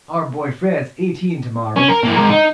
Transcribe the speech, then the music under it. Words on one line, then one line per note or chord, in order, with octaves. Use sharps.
Our boy Fred is eighteen to-morrow.
C#4
A#4
A#3 E4
G#3 A#4
D#4